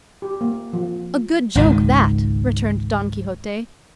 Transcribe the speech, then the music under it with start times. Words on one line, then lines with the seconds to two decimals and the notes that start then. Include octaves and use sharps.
"A good joke, that!" returned Don Quixote.
0.22 G4
0.41 A#3
0.73 F3
1.55 G#1 C#2 D#3